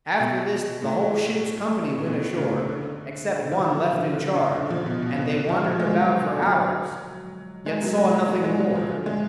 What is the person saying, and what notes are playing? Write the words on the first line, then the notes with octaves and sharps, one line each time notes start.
After this the whole ship's company went ashore, except one left in charge, and they wandered about for hours, yet saw nothing more.
B2
A2
A2
B2
C#3
D3
D3
F3
F#3
F3
D3
C#3
D3
F3
B2
B2
B2
D3
F3
F3
G#3
F#3
D3
F#3
G#3
F#3
G#3
A3
F#3
G#3
F#3
F3
D3
G#3